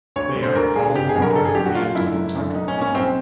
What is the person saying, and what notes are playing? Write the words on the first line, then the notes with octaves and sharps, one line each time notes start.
They are Fallingwater and Kentuck Knob.
D2 C#5
D3
C5
D2 A#4
D3 G#4
G1 G4
G#4
F#2 D3
A#4
G1 A4
G#4
F#2 D3 G4
F#4
F#1 F4
F#2 D3 E4
F#1
F#2 D3
B1 D#4
C#4
A#2
C#4
B1 C4